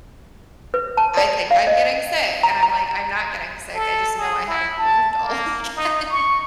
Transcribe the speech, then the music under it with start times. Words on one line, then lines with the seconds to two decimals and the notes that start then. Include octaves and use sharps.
I think I'm getting sick and I'm, like, I'm not getting sick. I just know I haven't moved all weekend.
0.74 B4
0.97 A5
1.17 D5
1.51 F5
1.67 D#5
2.43 A#5
2.63 A#5
3.75 A4
4.17 G#4
4.48 E4
4.78 A5
5.22 A#3
5.76 D#4
6.10 C#6